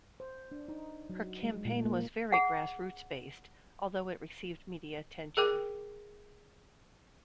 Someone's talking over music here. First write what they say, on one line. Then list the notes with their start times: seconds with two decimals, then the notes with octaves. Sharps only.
Her campaign was very grassroots-based, although it received media attention.
0.20 C5
0.52 D4
0.68 D#4
1.10 F#3
1.43 G#3
1.65 A#2
1.85 A#3
2.32 G#4 F#5
5.37 G#4 A#4 G5 D6